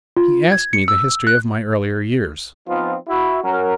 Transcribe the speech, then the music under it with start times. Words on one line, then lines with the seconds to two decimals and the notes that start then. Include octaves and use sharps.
He asked me the history of my earlier years.
0.17 F4
0.52 G#6
0.73 C#7
0.88 E6
1.27 F#6
2.69 F3 B3 C4 D#4 F4
3.09 E4 F#4
3.44 F#3 C#4 A#4